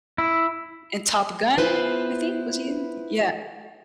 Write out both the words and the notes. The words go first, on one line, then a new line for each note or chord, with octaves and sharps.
And Top Gun, I think was he in Yeah.
E4
B3 E4 F4 B4 C5